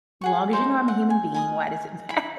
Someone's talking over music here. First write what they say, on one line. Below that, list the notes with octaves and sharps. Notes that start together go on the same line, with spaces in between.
"Long as you know I'm a human being, why does it matter?
G#4 F#5 C#6
D#4 C5 G#5
F#5
G#5
G#5 A#5 D#6
E4 B5